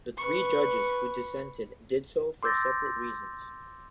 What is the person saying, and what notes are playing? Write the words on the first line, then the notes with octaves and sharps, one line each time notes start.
The three judges who dissented did so for separate reasons.
B4 C#6
C6 D6 E6 G6 A6 A#6